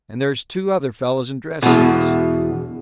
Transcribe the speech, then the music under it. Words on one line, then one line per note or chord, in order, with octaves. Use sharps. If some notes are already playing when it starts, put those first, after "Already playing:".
And there's two other fellows in dress suits.
E2 B2